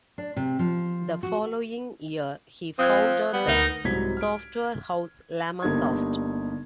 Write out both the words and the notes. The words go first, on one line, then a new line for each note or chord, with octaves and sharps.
The following year, he founded the software house Llamasoft.
D4
C3
F3
F#4
F3 C4 D#6 F#6 G#6
G3 B3
D2 D#4 A#4
C2 G#2 F#3 G#6 B6
F6 D7
G1 A#3 D4 D#4 G4 G#6